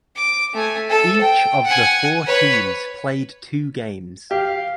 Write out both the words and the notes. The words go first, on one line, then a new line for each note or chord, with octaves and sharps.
Each of the four teams played two games.
D6
A3 G#5
A4
G5
F#5 G#5
B4 C#5
G4 F5